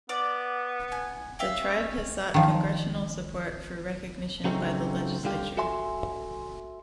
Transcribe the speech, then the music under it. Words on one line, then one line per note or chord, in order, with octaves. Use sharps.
The tribe has sought Congressional support for recognition by the legislature.
B3 D5
G#5
E5 F5 G5
C#4
D#3 F3
C#3 F#3 A3 C4 C#4 D#4
C2 D3 G3 F4 G4
F#4 A4 E5 G#5 C6